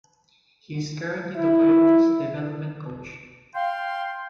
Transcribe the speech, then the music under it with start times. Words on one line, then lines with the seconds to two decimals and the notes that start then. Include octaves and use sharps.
He is currently the Coyotes' development coach.
1.36 E4
3.55 F5 G5 C6